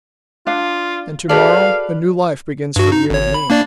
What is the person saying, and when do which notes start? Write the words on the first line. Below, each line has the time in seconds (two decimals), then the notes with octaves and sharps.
"And to-morrow a new life begins for you and me."
0.47 D4 F4 F5
1.29 F#4 G#4 A4 B4 D5 F5
2.76 G2 F#4
2.92 D#4
3.10 G#1 C#5
3.34 B5
3.50 A#3 D4 D5